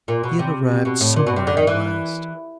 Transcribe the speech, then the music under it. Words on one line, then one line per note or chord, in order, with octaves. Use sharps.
He had arrived somewhere at last.
A#2
B2
C3
B2
A2
A#2
B2
C3
D3
D#3
E3